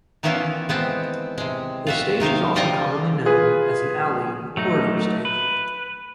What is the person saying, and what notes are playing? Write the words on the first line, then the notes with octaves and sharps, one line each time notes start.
The stage is also commonly known as an alley or corridor stage.
D#3 E3 B3 C#4 E4 F4
G#3 B3 C4 A5
C3 G#3
F4 F#4 E5
C3 D#3 D#4 F5
D3 G3 F4 D#5 G5 G#5
F4 G#4 B4
F#3 A3 D#4
B4